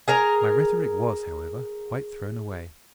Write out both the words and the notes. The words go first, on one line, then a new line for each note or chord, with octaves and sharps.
My rhetoric was, however, quite thrown away.
G#4 A#4 A#5